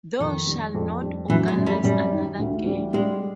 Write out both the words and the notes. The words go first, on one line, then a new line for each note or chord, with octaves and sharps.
Thou shalt not organize another gang.
F2 D#3
G3
F2
G3
E3 F#3
G#3
F#2
G3
F#2 G3
D#3
D2
G3
G3 G#3